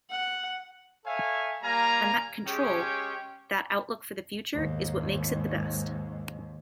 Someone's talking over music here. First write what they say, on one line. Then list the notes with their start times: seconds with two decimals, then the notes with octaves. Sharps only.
And that control, that outlook for the future, is what makes it the best.
0.11 F#5
1.06 A4 C#5 E5 F5 G#5
1.63 G3 A#3 F5 G#5 A#5
2.46 G#3 C#4 G4 G#4 C#5 G5
4.54 D#2 G#2